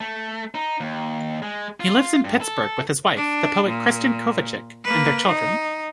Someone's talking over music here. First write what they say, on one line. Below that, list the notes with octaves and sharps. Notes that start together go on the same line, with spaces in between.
He lives in Pittsburgh with his wife, the poet Kristin Kovacic, and their children.
A3
D#4
D#2
G#3
F4
G2
A4
D4
A#2
A#3 B4
D#4